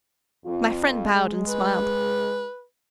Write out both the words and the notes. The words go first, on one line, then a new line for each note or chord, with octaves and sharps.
My friend bowed and smiled.
F2 F4
G#3
B4